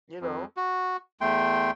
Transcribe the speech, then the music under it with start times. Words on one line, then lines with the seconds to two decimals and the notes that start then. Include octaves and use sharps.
you know?
0.21 F2
0.57 F#4
1.21 E2 A3 G5 C6